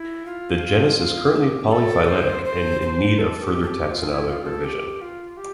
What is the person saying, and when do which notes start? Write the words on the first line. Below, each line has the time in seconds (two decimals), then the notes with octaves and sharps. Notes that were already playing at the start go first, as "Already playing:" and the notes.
The genus is currently polyphyletic and in need of further taxonomic revision.
Already playing: E4
0.26 F4
0.99 F4
1.36 G4
1.72 A4
2.08 C5
2.45 C5
2.82 C5
3.18 A4
3.43 G4
3.62 A4
3.67 G4
3.91 F4
4.10 E4
4.28 F4
4.46 A4
4.64 G4
5.01 F4
5.37 G4